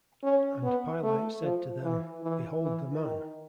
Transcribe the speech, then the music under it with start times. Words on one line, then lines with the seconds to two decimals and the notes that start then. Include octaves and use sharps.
And Pilate said to them Behold the Man.
0.23 C#4
0.63 B3
1.03 A3
1.43 F3
1.83 E3
2.23 E3
2.62 E3
3.02 D#3